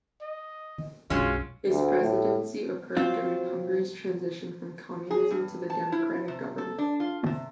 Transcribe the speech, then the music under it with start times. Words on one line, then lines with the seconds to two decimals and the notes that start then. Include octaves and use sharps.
His presidency occurred during Hungary's transition from Communism to democratic government.
0.22 D#5
1.10 B1 F#2 F#3 G#3 C#4 F4
1.69 D2
2.02 A2
2.97 F#3 C4 F4
5.11 G#4
5.31 G2
5.70 A5
5.92 E4
6.28 C3
6.58 A4
6.78 D4
7.00 F4
7.26 C3